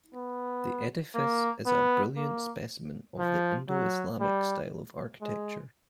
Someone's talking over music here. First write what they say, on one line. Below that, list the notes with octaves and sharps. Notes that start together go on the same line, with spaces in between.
The edifice is a brilliant specimen of the Indo-Islamic style of architecture.
B3
A#3
B3
A#3
F3
F#3
G3
G#3